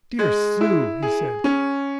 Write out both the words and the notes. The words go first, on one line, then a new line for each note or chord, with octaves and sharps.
"Dear Sue!" he said.
G#3
E4
G#4
C#4